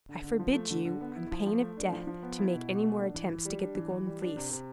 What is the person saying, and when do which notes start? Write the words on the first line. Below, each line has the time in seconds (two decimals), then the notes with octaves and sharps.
I forbid you, on pain of death, to make any more attempts to get the Golden Fleece.
0.09 D3
0.24 D3
0.39 F3
0.55 A3
0.70 D3
0.85 D3
1.01 B3
1.15 E4
1.31 F3
1.46 F3
1.61 A3
1.77 D4
1.93 F3
2.07 F3
2.23 B3
2.38 E4
2.54 B2
2.68 B2
2.84 A3
2.98 D4
3.14 E3
3.30 E3
3.45 G3
3.60 D4
3.75 E3
3.91 E3
4.06 G3
4.22 D4
4.36 C3
4.51 C3